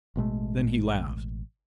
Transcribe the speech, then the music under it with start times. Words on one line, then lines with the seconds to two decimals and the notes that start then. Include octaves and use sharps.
Then he laughed.
0.16 A1 B2 G#3 A3